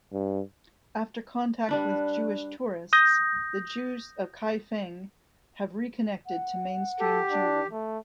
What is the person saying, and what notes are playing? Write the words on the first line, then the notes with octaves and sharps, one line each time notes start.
After contact with Jewish tourists, the Jews of Kaifeng have reconnected to mainstream Jewry.
G2
G3 D4 B4
D#6 G6 A#6
F#5
G4 A4
D4
A3